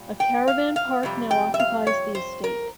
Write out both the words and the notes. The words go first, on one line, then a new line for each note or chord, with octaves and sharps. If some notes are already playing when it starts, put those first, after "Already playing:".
A caravan park now occupies the estate.
Already playing: A#2 G3
G5
F5
F5
F2 C3 G3
G5
E5
F5
C#5
C5
A#4